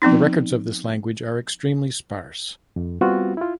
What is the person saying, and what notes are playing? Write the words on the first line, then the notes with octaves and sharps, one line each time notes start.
The records of this language are extremely sparse.
F3 B3 C4 D#4
F2
G3 B3 C4 F4 F#4
E4 F4